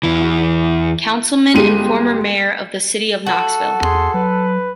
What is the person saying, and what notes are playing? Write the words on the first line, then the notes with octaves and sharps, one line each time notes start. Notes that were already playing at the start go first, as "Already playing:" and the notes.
Councilman and former mayor of the city of Knoxville.
E2 E3
G1 G#3 G4 D#7
F#4 A4
E2 G#4 C6
F#3 B4